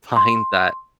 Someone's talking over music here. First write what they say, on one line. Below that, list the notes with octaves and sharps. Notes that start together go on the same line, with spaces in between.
find that,
C6